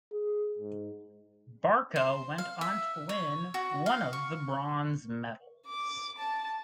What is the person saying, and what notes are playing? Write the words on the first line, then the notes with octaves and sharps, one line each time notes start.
Barka went on to win one of the bronze medals.
G#4
G#2
C5
F5
E5
C#5
F#4
F5
C#6
D6
A5